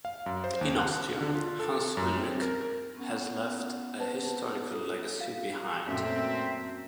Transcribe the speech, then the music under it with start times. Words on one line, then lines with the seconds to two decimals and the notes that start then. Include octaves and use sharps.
In Austria, Hans Ulrich has left a historical legacy behind.
0.05 F5
0.26 F#2
0.44 C5
0.61 D#2
0.79 F#6
1.21 D3
1.34 F4
1.60 A4
1.97 F#2
2.17 C4
2.42 A#4
2.96 B3 C#4 F#5
4.00 B4 C5 A5
4.70 F4 A4
5.20 F5
5.87 F#2 A#2 A3 C4 E5